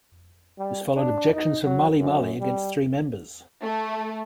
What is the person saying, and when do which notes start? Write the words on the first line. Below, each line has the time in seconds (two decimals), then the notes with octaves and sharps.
This followed objections from Malimali against three members.
0.59 G3
0.95 D4
1.33 D#4
1.65 F#3
2.00 F#2
2.40 G3
3.63 A3